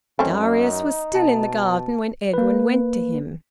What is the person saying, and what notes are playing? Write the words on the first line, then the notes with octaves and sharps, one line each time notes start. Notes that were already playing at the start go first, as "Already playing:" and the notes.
Darius was still in the garden when Edwin went to him.
F#2 A3 C4 C#4 D#4
B2 A5
A#3 B4